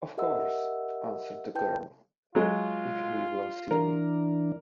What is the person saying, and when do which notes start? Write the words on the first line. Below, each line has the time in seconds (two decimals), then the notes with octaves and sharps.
"Of course," answered the girl, "if he will see me."
0.18 G4 A#4 D#5 E5 F#5 E6
1.55 E4 B4 G5 A5 G6
2.35 F#3 G#3 F4
3.71 E3 D4 A#4